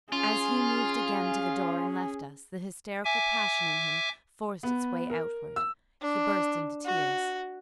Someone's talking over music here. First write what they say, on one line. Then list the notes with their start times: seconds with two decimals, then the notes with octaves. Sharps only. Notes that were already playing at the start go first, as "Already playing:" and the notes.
As he moved again to the door and left us, the hysterical passion in him forced its way outward--he burst into tears.
0.12 C#4 F4 G#4
3.05 E5 G#5 D6
4.63 B3
5.10 A#4
5.56 E6
6.01 D4
6.86 F#4